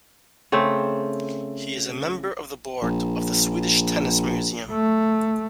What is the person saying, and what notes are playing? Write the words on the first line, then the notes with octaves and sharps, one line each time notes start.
He is a member of the board of the Swedish Tennis Museum.
C#3 A3 C4
A#1
A3